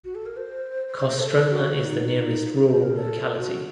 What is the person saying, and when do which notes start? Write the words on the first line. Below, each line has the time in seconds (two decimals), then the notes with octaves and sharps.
Kostroma is the nearest rural locality.
0.05 F#4
0.15 A4
0.26 A#4
0.37 C5
0.88 C5
0.99 C5
1.09 C5
1.19 A4
1.30 A4
1.51 F#4
1.72 F#4
1.85 D#4
2.00 D#4
2.55 A4
2.69 C5
2.83 A#4
2.97 A4
3.39 F#4